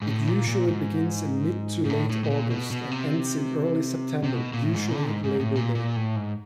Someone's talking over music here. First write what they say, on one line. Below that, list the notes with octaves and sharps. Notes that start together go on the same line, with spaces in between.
It usually begins in mid-to-late August, and ends in early September, usually Labour Day.
G#2
A2
A#2
A#2
G#2
G#2
A2
A2
A2
A#2
B2
B2
C3
C3
B2
A#2
A2
G#2
D3
G#2
G#2
A2
A#2
A#2
A2
G#2